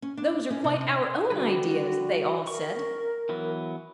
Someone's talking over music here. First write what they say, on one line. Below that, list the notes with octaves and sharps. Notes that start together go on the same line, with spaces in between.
"Those are quite our own ideas," they all said.
C#4
D4
C#4
C3
D3 G3 F#4 B4
A#4 C#6
E3 F#3 B3